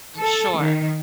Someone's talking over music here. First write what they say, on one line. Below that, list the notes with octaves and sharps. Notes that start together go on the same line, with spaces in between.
I'm sure.
A4
D#3